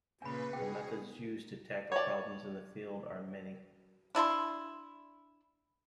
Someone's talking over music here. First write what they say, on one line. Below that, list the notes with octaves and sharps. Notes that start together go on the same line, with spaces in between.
The methods used to tackle problems in this field are many.
A#2 C#3 B4 G#5 B5
B2 G#4 G5
C#5 D5
D4 E4 A5 C6